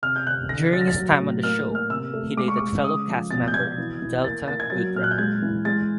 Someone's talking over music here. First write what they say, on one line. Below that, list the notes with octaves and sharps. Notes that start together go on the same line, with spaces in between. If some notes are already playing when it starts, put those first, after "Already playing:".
During his time on the show, he dated fellow cast-member Delta Goodrem.
C3 F6
G6
C3 F#6
D3 A#6
F#3 A6
A#6
A6
F#3
A2
A#3 F6
A#3
F6
C3 E6
A3
G#3 D6
C#6
D6
G#3
C#3 D#6
F3
B2 A6
G6
B2 G#6
E3
E3
A#3 A6
A#3 A6
G#6
F#3 A6
A#2 F6
F#6
G6
G#3 G#6
E3
G#3 A6